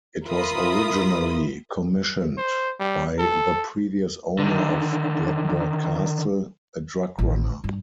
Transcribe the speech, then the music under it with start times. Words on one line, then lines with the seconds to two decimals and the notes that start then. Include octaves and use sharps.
It was originally commissioned by the previous owner of Blackbird Castle, a drug runner.
0.24 F4 A#4 E5 B5 D#6
2.38 C5
2.80 G3
3.19 A4
4.39 D3 D#3
7.19 A1
7.64 G2